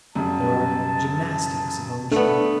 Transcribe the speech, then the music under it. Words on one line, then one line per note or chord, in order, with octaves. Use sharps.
There are gymnastics of untruth.
F#2 C#3 G3 A5
A3 B3 D4